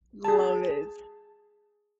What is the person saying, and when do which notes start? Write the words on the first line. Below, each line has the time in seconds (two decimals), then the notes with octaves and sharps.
love it.
0.25 G#4 A5